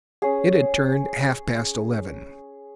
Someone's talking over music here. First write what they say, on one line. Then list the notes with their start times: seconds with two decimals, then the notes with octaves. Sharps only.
It had turned half-past eleven.
0.22 C#4 G#4